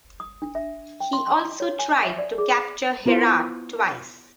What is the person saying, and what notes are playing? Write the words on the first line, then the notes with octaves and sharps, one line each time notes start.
He also tried to capture Herat twice.
D#6
D4
E5
G5
C6
C6
C#5
G#5
E5
D5
G#4
B5
B3 E4 F4 C5